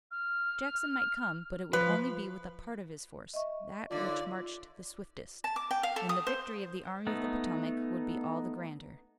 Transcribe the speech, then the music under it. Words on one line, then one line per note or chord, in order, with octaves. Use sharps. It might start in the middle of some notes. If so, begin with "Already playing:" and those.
Jackson might come, but it would only be with a part of his force, that which marched the swiftest, and the victory of the Army of the Potomac would be all the grander.
F6
F3 B4
D#5 E5 C#6
D#2 D3 F4 D5
A5
D6
G5
F5
A4
D#6
C5
A3 B3 D#4